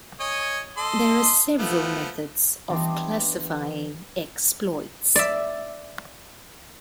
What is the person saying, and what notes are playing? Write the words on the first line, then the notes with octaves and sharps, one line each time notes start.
There are several methods of classifying exploits.
C#5 D#5 G#5
A4 D#5 C6
F3 A3 B3
E3 B3 C4 D4 G4 D#5
D5 E5